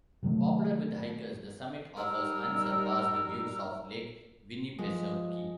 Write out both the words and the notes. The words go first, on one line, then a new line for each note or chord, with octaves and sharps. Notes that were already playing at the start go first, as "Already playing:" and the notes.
Popular with hikers, the summit offers unsurpassed views of Lake Winnipesaukee.
C3 D#3 F#3 A3
G3 D#4 A#4 E6
F3 G#3